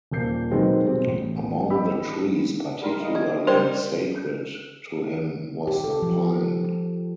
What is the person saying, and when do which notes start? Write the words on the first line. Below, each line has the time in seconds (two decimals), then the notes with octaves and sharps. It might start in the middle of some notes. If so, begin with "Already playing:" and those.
Among the trees particularly sacred to him was the pine.
0.11 D#1 F3 A#3 G6 C7
0.51 B2 D#3 F#3 G#3 B3 C4
0.86 B2 G3 C4
1.07 A1
1.70 G4 D#5 B5 E6
2.82 G3 A#4 C6
3.00 D#5 F5
3.15 E4
3.47 G3 G4 A#4 C5 G5
5.67 G4
5.84 A4
6.02 F3